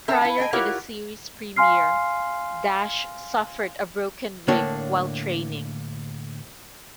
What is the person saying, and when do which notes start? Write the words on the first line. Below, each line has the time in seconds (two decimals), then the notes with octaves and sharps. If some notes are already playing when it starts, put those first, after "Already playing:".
Prior to the series premiere, Dash suffered a broken rib while training.
0.08 C4 A#4 E5 A5 A#5
0.21 E4 F5
0.38 D#5 G5 G#5
0.53 E4 F4 G4 A#4 C#5 F#5
1.56 F5 G#5 C6 F6 C7
4.48 A2 D3 A#3 D4 C#5